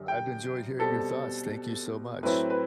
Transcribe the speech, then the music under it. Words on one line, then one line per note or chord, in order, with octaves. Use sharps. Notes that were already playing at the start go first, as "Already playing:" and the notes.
I've enjoyed hearing your thoughts. Thank you so much.
Already playing: F#2 D3 G3
G5
B2 G3 C4 A4
A2 F#3 C4 E4 B4
B4